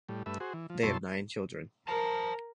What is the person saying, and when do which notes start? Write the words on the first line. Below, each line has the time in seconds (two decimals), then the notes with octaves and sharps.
They have nine children.
0.09 A2 G3
0.26 G2 A3 B4 E5
0.40 F#4 G#4 C5
0.53 E3
0.70 F3
0.83 F#2 B2 E4 C#5 A5 C6
1.88 A#4 C5 A5